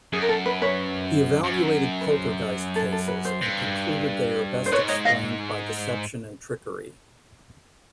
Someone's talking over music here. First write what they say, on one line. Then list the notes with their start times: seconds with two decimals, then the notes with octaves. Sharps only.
He evaluated poltergeist cases and concluded they are best explained by deception and trickery.
0.13 F#2 G#4
0.22 A#4
0.29 A4
0.46 B4
0.62 B4 C#5
1.44 F#2
2.01 B4
2.10 C5
2.76 A4
2.92 A4
3.08 B4
3.25 C5
3.41 G2
4.66 C5
4.72 G#2 B4 C#5
4.88 C#5 D#5
5.05 D#5 F5